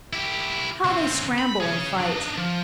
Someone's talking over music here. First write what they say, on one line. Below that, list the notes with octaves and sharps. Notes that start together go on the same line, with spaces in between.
How they scramble and fight!
E4 G4
C#3 C4
B5
G#4 C#5
D4 D#4
F3